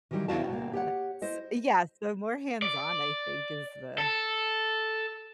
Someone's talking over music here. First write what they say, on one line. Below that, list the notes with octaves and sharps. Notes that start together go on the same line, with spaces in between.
uh, s yeah, so more hands-on, I think, is the
D#3 E3 F#3 G3
E2 E4 F#4 D5 F5 A5
B2 A#3
G4 C#5 F#5
E4 C5 D#5
D5
A4